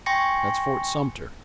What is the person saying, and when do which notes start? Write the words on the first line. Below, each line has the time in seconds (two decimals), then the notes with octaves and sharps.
That's Fort Sumter.
0.06 G5 G#5 C6 C#6 A#6 C#7